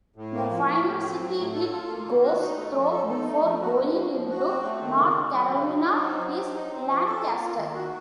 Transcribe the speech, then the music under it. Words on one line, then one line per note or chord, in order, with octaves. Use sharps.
The final city it goes through before going into North Carolina is Lancaster.
A2
A#3
F3
A2
A2
C4
F#3
A2
A4
F4
A#3
D#3
F#4
D#4
A3
F3
A4
D#4
A3
F3
F#4
C#4
A#3
F3
F#4
C4
A3
D#3
C#3
C4
F#3
C#3
F#3
D#4
C4
F#3
F3
D#4
C4
F3
A4
F4
A#3
D#3
F#4